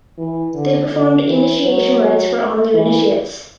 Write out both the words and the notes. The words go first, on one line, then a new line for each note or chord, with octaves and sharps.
They performed initiation rites for all new initiates.
E3
D3
D3
E3
F#3
E3